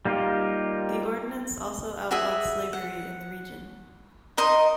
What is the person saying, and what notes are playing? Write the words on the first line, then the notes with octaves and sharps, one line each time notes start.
The ordinance also outlawed slavery in the region.
G3 A#3 D#4 F4 G4
F#4 G#4 E5
F#5
D#4 A#4 D#5 C6